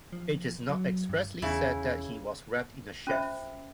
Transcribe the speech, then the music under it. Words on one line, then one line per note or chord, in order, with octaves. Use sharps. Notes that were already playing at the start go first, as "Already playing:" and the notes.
It is not expressly said that he was wrapped in a sheaf.
F3
F#3
G2
E2 C#3 E4
C#4 F4 C5 E5